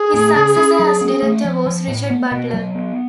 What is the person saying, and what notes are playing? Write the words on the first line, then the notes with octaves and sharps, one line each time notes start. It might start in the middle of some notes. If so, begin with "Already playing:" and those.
His successor as director was Richard Butler.
Already playing: G#4
A2
C#3
C#4
F#3
C#4
A3
F3
F3
A2
B3
B2
F#3
B3